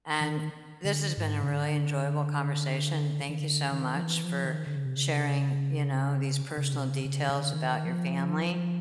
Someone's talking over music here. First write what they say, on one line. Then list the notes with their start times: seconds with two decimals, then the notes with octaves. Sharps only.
and this has been a really enjoyable conversation. Thank you so much for sharing, you know, these personal details about your family,
0.21 D#3
0.85 D3
1.17 G#2
1.44 C#3
1.49 D3
3.29 D#3
3.40 D3
3.72 D#3
3.96 F3
4.03 E3
4.24 F3
4.45 D#3
4.67 D3
4.76 C#3
4.85 C3
4.95 C#3
6.57 C#3
6.73 C3
6.90 C#3
7.05 C#3
7.22 D3
7.29 C#3
7.37 D3
7.53 D#3
7.85 F3